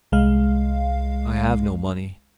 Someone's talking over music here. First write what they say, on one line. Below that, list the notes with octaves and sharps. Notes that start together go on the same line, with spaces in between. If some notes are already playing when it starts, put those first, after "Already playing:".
"I have no money."
C2 G#3 F5